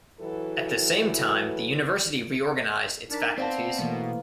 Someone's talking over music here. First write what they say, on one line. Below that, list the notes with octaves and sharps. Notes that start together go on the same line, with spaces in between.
At the same time, the university reorganized its faculties.
E3 F#3 E4 F#4 A4 B4
D4 D#4 A#4 A5 A6 B6
B3 C4 C5 D5 F5 A5
B2 E3 A3 A#3